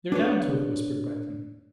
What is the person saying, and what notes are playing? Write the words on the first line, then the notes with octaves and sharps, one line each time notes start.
"They're down to it!" whispered Breton.
D4 B4 C#5